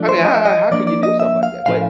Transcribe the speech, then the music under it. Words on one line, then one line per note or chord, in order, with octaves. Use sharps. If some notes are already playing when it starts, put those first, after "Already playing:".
I mean, how how how can you do something like that? But
Already playing: F3 A3 D4
C5
D#5
E5
D#5
F3 A#3 D4 D5
D5
D#5
E5
F5
A2 F3 A3 C#4 E4 F5